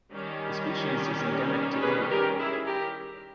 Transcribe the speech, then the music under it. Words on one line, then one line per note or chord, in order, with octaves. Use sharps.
The species is endemic to India.
D#3 G3 C#4
G#4 B4
G4 A#4
E4 G#4
G4 A#4